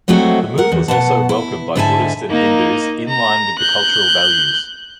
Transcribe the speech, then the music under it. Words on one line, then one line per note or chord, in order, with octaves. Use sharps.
The move was also welcomed by Buddhists and Hindus inline with the cultural values.
F#3 G#3 A3 C4 F#4 F5
A#4 F#5
E2
B2 F#5 A5
E4
G#2 D3 E4 E5 G#5 A5
A#3 D#4
A#5
F#6 G6